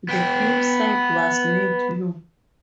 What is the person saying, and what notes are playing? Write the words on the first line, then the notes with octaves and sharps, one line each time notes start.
The flip side was Need You.
B3 G5